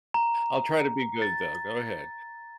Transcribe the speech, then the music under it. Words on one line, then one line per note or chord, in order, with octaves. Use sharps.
I'll try to be good though. Go ahead.
A#5
A6